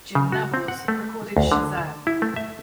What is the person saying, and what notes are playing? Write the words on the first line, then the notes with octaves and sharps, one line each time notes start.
Jim Nabors recorded Shazam!
C#3
F#4
C4
F#5
A3
D2
D3
A5
E4
A3
E5